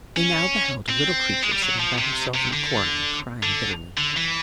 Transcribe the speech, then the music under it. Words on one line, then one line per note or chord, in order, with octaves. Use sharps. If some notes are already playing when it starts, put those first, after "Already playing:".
They now beheld a little creature sitting by herself in a corner, and crying bitterly.
C#4
C4
G#3
G3
F#3
F3
C3
C3
D3
D3
D3
E3